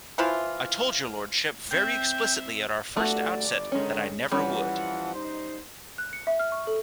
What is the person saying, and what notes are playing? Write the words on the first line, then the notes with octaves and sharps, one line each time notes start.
I told your Lordship very explicitly at our first outset, that I never would.
E3 F3 E4 F4
C4 E5 G5
G1 A3 F#4 D5
D3 D#3 G#3 C#4
E3 F3 G3 C#4 F#5
D#4 C5
F#6
C#7
E5
F6
C#6
A4